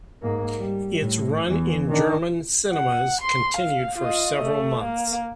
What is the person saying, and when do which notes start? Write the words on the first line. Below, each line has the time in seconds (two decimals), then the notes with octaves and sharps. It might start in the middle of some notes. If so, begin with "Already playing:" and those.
Its run in German cinemas continued for several months.
0.22 G#2 A#3
0.57 G3
0.97 A2
1.48 E2 E3
1.87 D#3 D4
2.72 F#5
3.21 C6
3.57 F5
3.97 F4 D#5
4.41 A3
4.83 A#3